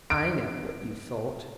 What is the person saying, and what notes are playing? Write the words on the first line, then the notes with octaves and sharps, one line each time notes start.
"I know what you thought."
D7